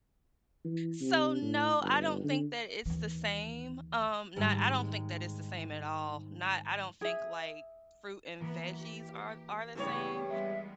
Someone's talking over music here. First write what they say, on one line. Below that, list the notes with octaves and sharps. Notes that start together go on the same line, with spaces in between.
So, no, I don't think that it's the same, um, not I don't think that it's the same at all. Not I don't think, like, fruit and veggies are are the same,
E3
C3
A2
G1
D3
D#2 E3
G#2 D#3 G3 G#3
G#4 E5
E3 A#3 B3
G4
G2 C#3 G3 A3 E4 A4 C#5
G3 G#3 B3 E5